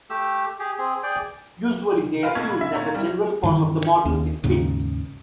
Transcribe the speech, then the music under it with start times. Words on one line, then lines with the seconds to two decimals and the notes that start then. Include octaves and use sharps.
Usually they assume that the general form of the model is fixed.
0.10 A3 G4 E6
0.59 G4 G#4
0.78 C4 G#4
1.03 G#4 D5 G5
2.23 F4 B4 F5
2.35 B1 B2 G#6
2.48 A#2 B5
2.61 E5
2.75 A#2 C#5 A#5
2.95 G3 E4
3.43 G2 D#3 E3
4.05 D#2
4.44 D#2 G#2 C#3